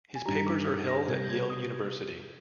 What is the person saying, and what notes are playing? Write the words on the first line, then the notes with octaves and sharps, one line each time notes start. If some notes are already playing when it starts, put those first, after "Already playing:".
His papers are held at Yale University.
G#5
G2 D#3 G3 A#5
D6
D#6
A#6
C3 G3 G#6
G6
G#6
D#6